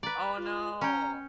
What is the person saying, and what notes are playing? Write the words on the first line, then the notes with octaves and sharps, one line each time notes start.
Oh, no!
B4 D5 A#5
F4
C#4 G5 A#5